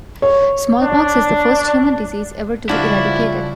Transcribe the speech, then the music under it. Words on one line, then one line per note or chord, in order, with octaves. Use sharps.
Smallpox is the first human disease ever to be eradicated.
C#5
D4
C#3 F3 G3 D4 E4 F#4